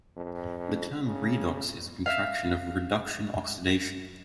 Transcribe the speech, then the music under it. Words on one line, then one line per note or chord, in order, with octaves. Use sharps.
The term "redox" is a contraction of "reduction-oxidation".
F2
C#3
E5 F5